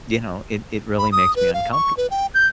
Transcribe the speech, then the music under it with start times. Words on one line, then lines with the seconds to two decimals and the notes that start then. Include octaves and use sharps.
you know, "it it really makes me uncomfortable."
0.98 B5
1.12 D#6
1.36 B4
1.54 F5
1.72 C#6
1.97 B4
2.11 G5
2.34 G6